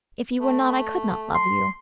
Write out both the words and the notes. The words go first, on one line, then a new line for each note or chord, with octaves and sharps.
"If you were not, I could not love you."
A3
C6